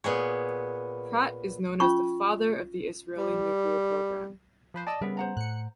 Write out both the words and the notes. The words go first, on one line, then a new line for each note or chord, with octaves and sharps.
Pratt is known as the "father" of the Israeli nuclear programme.
A#2 B3 G#4 C#5
C#4 F4 C#6
G3
F3 B4 C5
D5 D#5 A5 E6
C#3 G3 B3 A#4 E5
C5 F#5 A#5
A2 F#6 C#7